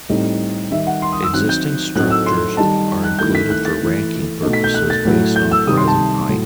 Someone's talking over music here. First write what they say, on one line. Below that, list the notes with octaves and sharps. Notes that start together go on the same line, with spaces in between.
Existing structures are included for ranking purposes based on present height.
A2 G3 C4 D#4
D#3 G3 D#4 E5
F#5
C6
D#6
E6
D#3 F#3 C4 D#4 F#6
G6
A2 F#3 A3 C4 D#4 F#6
E6
C6
D#3 G3 D#4 A5
F#6
D#3 A3 E4 G6
B6
F#6
A6
E3 A3 E4
B2 A3 D#4
B6
G6
F#6
A6
A2 F#3 A3 E4
G6
E6
C3 D#3 G3 D#6
C6
A5
A2 F#3